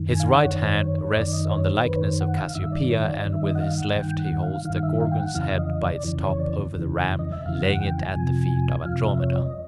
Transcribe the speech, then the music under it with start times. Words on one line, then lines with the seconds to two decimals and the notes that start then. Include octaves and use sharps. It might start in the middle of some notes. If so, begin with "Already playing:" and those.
His right hand rests on the likeness of Cassiopea, and with his left he holds the Gorgon's head by its top over the Ram, laying it at the feet of Andromeda.
Already playing: F#2 D#3
0.11 G#5
0.20 F5
0.27 F#5
0.38 D5
0.45 F#2 D#3 C#5
0.56 C#5
0.63 C5
0.81 C#5
0.98 C#5
1.16 F#2 D#3 D5
1.33 D#5
1.51 C#5
1.68 C5
1.85 F#2 D#3 B4
1.96 C#5
2.03 C5
2.20 F#5
2.37 F5
2.55 G2 D#3 E5
2.72 D5
2.90 C#5
3.08 D5
3.25 G2 D#3
3.33 E5
3.43 D#5
3.55 F#5
3.60 F5
3.77 F#5
3.95 G2 D#3 G5
4.19 F#5
4.42 F5
4.65 D#3 F5
4.70 G2
4.76 F5
4.83 E5
5.01 F5
5.11 G5
5.18 F#5
5.35 F2 C#3 E3 F5
5.58 D#5
5.82 D5
6.05 F2 C#3 E3
6.23 C#5
6.40 D5
6.75 F2 C#3 E3
7.19 D#5
7.32 E5
7.46 F2 C#3 E3 F5
7.63 F#5
7.80 G5
7.98 G#5
8.16 F2 C3 F3
8.85 F2 C3 F3 F5
9.02 E5
9.20 C#5
9.38 D#5